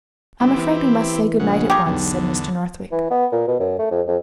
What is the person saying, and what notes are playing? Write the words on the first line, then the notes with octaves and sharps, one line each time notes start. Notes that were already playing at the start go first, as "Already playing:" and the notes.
"I'm afraid we must say good night at once," said Mr. Northwick.
G1 C4 E4 G4
E3
A#1 C#3 F#5
F4 G4 G#4 A#5 C#6
B1 E2 D3
E3
B3
A#2
B2
F#2
A3
F2
F2